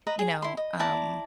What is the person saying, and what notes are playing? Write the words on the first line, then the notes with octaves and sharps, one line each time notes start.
you know, um
B4 D#5 A#5
G#4
E4 C6
D#5
E4 D5 A5 A#5